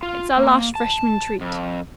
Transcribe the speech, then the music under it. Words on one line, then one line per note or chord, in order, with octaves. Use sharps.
It's our last freshman treat.
F4
A#3
A5
F2